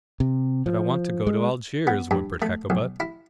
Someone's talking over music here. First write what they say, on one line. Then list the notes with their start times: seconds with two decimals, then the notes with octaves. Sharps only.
"But I want to go to Algiers," whimpered Hakkabut.
0.20 C3
0.66 F3
1.27 G#3
1.87 B3
2.11 G2
2.42 A3
2.70 B1
3.00 E4